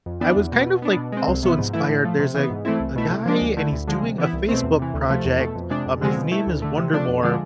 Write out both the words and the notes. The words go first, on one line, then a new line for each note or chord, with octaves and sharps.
I was kind of, like, also inspired there's a a guy and he's doing a Facebook project, um, his name is Wonder More,
F2
E3 B3 D4
E2
B2 B3
B2
B3 D4
B2
G#3 C4
C2
C3 F3 B3
G#2
E3 A3 E4
A2
F3 A3
C3
E3 B3
G#2
E3 A3 C4 E4
C2
B2 A3 E4
C3
F3 G#3 D4
D2
D3 A3 E4
D2
D3 F3 G#3
C3
E3 B3 E4
C2
B2 A3 C4
E2
C3 E3
D2
C3 F3 A3
E2
B2 A3
F2
C3 G#3 D4
F2
D3 F3 G#3 C4
B2
A3 E4
D2
D3 A3
C3
F3 A3 D4
F2
D3 F3 G#3 D4